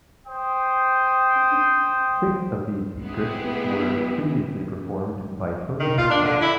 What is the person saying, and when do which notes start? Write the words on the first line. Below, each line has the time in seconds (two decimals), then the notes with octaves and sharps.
Six of these scripts were previously performed by Tony Hancock.
0.28 C5 G5 D#6
3.02 G#3 B3 C4 E4 G4 G#4
5.80 D#3
5.98 F4
6.10 D4
6.24 D3
6.41 E4